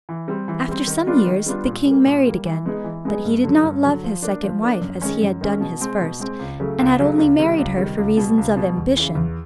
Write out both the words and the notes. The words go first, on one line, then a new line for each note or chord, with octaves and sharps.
After some years the king married again, but he did not love his second wife as he had done his first, and had only married her for reasons of ambition.
E3
G3 C4
E3
G3 C4
D#3
G3 B3 D4 F4
D#3
G3 B3 D4 F4
A#2
G3
A#3
A#2
G3 A#3
E3
G#3 B3 D#4 G#4
E3
G#3 B3 D#4 G#4
G2
D3 F#3
G2
D3 F#3
F3
A#3 D4
F3
A#3 D4
F#2
D#3 G#3 C#4
F#2
D#3 G#3 C#4
B2
G#3 C4
B2
G#3 C4
C#2
C#3 F#3 A3
C#2
C#3 F#3 A3
C#2
C3 D#3 G3
C#2
C3 D#3 G3
C#2
B2 G3
C#2
B2 G3
E2
C#3 E3
E2